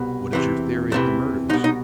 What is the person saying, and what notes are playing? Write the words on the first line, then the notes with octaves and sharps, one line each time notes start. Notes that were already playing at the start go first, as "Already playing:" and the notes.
"What is your theory of the murders?"
Already playing: C2 B2
E2 C3 E3
E2 C3 E3 A3
C2 B2 D#4
D#4